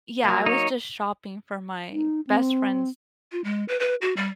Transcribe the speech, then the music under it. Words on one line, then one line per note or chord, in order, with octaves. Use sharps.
yeah. I was just shopping for my best friend's
F#3 A#3
D#4 C#5
D#4
C4
F4
G#3
B4
B4
F#4
G3